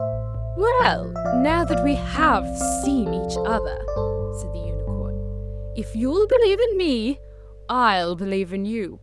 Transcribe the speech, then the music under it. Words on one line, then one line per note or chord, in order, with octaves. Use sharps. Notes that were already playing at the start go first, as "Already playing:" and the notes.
'Well, now that we HAVE seen each other,' said the Unicorn, 'if you'll believe in me, I'll believe in you.
Already playing: A2 C5 E5
A1
A1
A1
F3
F3
E5
F3 D5 F5
A1
E5
F3 D5 F5
C2
C4
C2
C4 D5 F5
C2 G4
F3 A4
C2
A4 C5
G1 A4 C5
G1
D5
G2 A4 C5
G2
G1
G1
G2